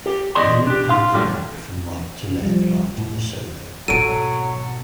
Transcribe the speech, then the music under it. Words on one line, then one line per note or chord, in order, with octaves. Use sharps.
Then it pans back from right to left after the solo.
G4
E2 G#4 D5 D#5 C6
D4 G4
F5 C6
A#2 E3 F#3 G3 A3 A#3
F3 G3
A2
G#1 B2 F#3 A4 D7 D#7